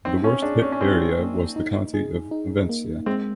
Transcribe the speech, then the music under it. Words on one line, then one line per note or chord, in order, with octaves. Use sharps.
The worst hit area was the county of Ventzia.
C4 D#4
C#4
D4 G#4
C#4
C#4
C4 D#4
A#3
D#4
G#4
D#4
A#3
G#3 C4